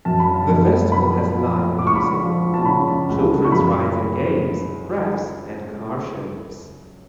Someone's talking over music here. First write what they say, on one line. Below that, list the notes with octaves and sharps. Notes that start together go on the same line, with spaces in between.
The festival has live music, food, children's rides and games, crafts and car shows.
F#2 A5
B5
A5
F#2
F3 B5
F3
C#2 D6
C#6
B5
C#6
F3
A5
C#3 B5
C#2
C#6
F#2 B5